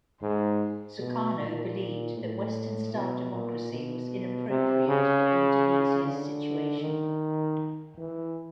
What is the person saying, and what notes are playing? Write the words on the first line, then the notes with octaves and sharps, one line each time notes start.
Sukarno believed that Western-style democracy was inappropriate for Indonesia's situation.
G#2
B2
A#2
A2
B2
A#2
B2
C3
C#3
D3
D#3
E3